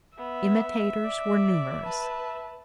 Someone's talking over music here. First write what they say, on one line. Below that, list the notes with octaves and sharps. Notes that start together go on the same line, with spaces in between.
Imitators were numerous.
B3 E5
D5
B4 A5